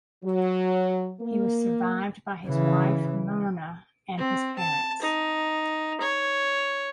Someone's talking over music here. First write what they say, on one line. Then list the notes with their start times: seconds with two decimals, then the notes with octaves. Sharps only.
He was survived by his wife, Myrna, and his parents.
0.25 F#3
1.21 A#3
2.46 C#3 E3
4.17 C4
4.59 A5
5.02 D#4
6.01 C#5